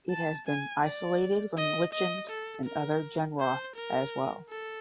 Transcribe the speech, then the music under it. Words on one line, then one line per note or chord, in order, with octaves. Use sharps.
It has been isolated from lichens in other genera as well.
A5
G#5
D5
D#5
D#5
A4
A#4
C5
A#4
A4